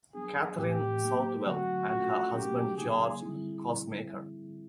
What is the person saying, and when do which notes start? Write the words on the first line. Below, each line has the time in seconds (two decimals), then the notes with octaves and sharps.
Catherine Southwell and her husband George Coussmaker.
0.14 F#3 B3 D4 G#4
0.58 A2 E3 A3 C4 G4
1.02 F#3 A#3 D#4
1.45 D3 F#3 A3 C4 F#4
1.89 A3 C#4 F4 F#4 A4
2.33 F#3 A3 C#4 F#4 G4 A#4
2.77 C#3 F#3 A#3 D#4 G#4
3.21 D3 G3 C4 E4 G#4